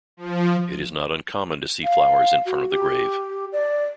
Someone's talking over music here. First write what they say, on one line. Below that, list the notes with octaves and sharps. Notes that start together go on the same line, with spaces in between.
It is not uncommon to see flowers in front of the grave.
F3
F5
F#4
G4
D5